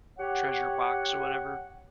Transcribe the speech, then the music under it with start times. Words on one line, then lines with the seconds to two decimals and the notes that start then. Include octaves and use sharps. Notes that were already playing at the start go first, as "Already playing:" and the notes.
treasure box or whatever.
0.18 G4 C#5 F#5